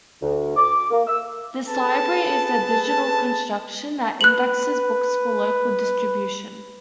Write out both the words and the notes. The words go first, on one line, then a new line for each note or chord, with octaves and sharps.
This library is a digital construction that indexes books for local distribution.
D2
D6
A#3
E6
G#4 A4 B4 A5
B4 F#6 F#7